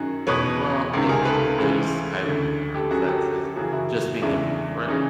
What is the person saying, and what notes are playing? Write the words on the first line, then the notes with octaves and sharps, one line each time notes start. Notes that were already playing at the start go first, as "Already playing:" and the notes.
Well, I think those type of mindsets is just making room for it
Already playing: F#2 D#3 F#4 G#4
E2 B2 B4 C#5
C#2 C3 D#3
G#4 A#4
A4 B4
C#2 C#3 E3
D2 D3
G4 A4
F#2 D3 F#4 G#4
G4 A4
F#2 C#3 E3 F#4 G#4
E4 F#4
E2 C#3 E3 D4 E4
C#3 E3 C#4 D#4